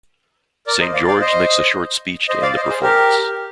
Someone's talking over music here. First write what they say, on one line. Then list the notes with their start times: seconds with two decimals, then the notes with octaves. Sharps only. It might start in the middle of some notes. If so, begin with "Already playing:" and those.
Saint George makes a short speech to end the performance.
0.67 A#4 D5
0.80 C5 D#5
0.94 D5 F5
1.07 D5 F5
1.21 C5 D#5
2.29 C5 D#5
2.42 D5 F5
2.56 C5 D#5
2.69 G#4 C5
2.82 G4 A#4